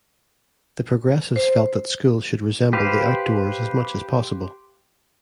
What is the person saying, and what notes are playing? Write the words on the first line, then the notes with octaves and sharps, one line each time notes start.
The Progressives felt that schools should resemble the outdoors as much as possible.
C5
G4 B4 C5 F5